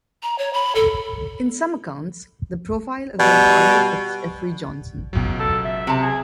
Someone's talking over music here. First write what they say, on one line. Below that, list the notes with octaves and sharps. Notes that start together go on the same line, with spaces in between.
In some accounts the profile of her father fits Eaffrey Johnson.
A#5
C#5
B5
A4
B2 G3
G#1 C#2 B2 F#3
A4
E5
C3 A5
G#4